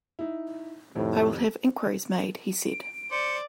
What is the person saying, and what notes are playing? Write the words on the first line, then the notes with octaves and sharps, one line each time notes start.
"I will have inquiries made," he said.
D#4 E4
F2 A2 C3 D#3
D7
C5 D5 C#7